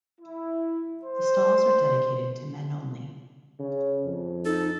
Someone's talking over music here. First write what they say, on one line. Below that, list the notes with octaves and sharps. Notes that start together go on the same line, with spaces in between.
The stalls are dedicated to men only.
E4
C5
C#3
F2
D#4 A4